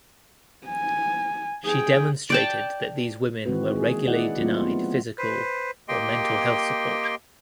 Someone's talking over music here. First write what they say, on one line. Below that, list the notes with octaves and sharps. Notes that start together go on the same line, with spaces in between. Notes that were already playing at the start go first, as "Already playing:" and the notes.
She demonstrated that these women were regularly denied physical or mental health support.
G#5
G#4 G5
D5 G5 A5
D#3 E3 G#3 C4 F#4 B4
A#3 C4 G#4
D#4 E4 D5 D#5 F#5
F#3 A3 A#3 C4 E4 F4
B3 C4
B4 C5
A#3 G4 D#5 G5 C6